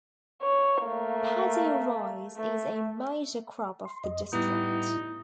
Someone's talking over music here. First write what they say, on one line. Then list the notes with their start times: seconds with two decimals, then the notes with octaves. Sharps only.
Paddy rice is a major crop of the district.
0.42 C#5
0.85 A3 A#3
2.38 A3
3.85 C6
4.04 F2 D#5
4.33 A2 G3 B3 D#4 E4